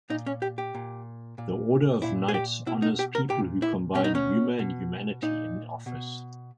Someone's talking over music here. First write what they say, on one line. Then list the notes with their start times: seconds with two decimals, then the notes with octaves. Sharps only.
The order of knights honors people who combine "humor and humanity in office".
0.10 A#2 D#4
0.26 C#4
0.42 G4
0.58 G4
0.75 A#2
1.38 A#2
2.02 A#2 E4
2.28 G#4
2.34 G4
2.66 B2 E4
2.82 D#4
2.99 G4
3.15 A#4
3.30 A#2 G4
3.62 E4
3.95 B2 C#4
4.04 D#4
4.15 C#4
4.59 B2
5.22 A#2 D#4
5.86 B2